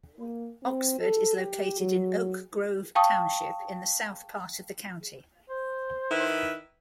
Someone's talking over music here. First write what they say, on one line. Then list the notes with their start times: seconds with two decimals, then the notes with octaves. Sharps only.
Oxford is located in Oak Grove Township in the south part of the county.
0.19 A#3
0.63 C4
0.99 A4
1.36 G4
1.80 F#3
2.95 F5 G5 A5 C#6 D#6
5.50 C5
6.10 D#3 E4 B4